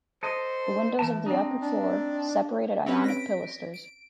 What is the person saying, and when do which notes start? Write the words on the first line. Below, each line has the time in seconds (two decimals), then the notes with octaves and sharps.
The windows of the upper floor separated Ionic pilasters.
0.23 A4 C5 D#5
0.99 E3 A5
1.26 C4 D4 D#4
1.62 D4
2.86 C4 C#4 G4 B4
3.04 A#6 B6 D7
3.74 D7